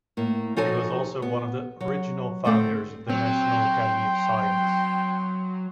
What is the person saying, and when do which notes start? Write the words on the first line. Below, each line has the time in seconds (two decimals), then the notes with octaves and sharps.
He was also one of the original founders of the National Academy of Science.
0.17 A2 A#3
0.57 F3 D#4 F#4 A4 C#5 G#5
1.22 B3
1.80 F#3
2.45 D2 A3 C4 A4
3.10 F#3 C4 G5 C6